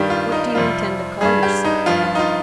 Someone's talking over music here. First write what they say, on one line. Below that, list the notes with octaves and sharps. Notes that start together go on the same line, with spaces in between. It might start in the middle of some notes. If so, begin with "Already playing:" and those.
"What do you intend to call your son?"
Already playing: G2 D#3 G3 G4
F4
D#4
F2 C3 G3 F4
G2 G3 G#4
G4
D#4
G2 F3 F4
F4
D#4
F4